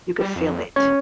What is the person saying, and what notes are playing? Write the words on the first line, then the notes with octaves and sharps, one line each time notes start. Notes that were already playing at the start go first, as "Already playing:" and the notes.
you could feel it.
G3
F2
E1 C#4 C#5